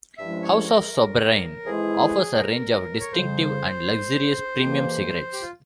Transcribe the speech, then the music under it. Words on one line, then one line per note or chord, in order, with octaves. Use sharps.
House of Sobranie offers a range of distinctive and luxurious premium cigarettes.
G2 F3 G#3 C#4 E4 E5
C#5
A#4
F2 E3 G#3 E4 G#4
A#4
C#5
F2 C#3 G3 C5
F2 C3 E3 A#3
G4
F4